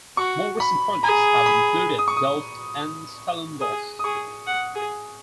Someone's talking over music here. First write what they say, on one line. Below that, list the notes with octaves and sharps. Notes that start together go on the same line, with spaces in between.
More recent projects have included Delft and Stellenbosch.
F#4 C#6
B5
G#4 A#5
B5
D#6
C#6
D#6
G#4 D#6
D#6
G#4 C#6
F#5
G#4